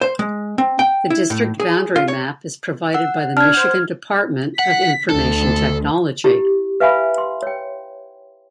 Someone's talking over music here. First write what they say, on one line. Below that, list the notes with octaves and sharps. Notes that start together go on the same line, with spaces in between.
The district boundary map is provided by the Michigan Department of Information Technology.
C5
G#3
C4
G5
E4
A2
G#4
F4
C#5
F#5 E6
D4 F6 G#6
C5 F#5
F#5 B6
D2 A4
E4 G4
B4 E5 F5 G#5 B5
C6
C#5 G5